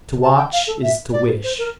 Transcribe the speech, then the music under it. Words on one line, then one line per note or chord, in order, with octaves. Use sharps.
To watch is to wish.
A5
G5
F5
A4
E5
D5
C5
A#4